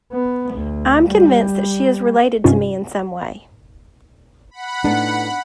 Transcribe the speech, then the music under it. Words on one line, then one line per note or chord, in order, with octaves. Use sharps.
I'm convinced that she is related to me in some way.
B3
D2
G3
G2 C3 C#4 D#4 F4
F#5 B5
A2 B3 D4 D#4